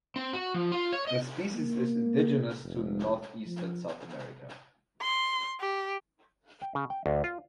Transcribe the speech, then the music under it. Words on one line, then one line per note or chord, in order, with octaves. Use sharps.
The species is indigenous to northeastern South America.
C4
F#4
F3
F4
C#5
D#5
A#3
F1
F3
C6
G4
G5
C#3
G5
D2
F4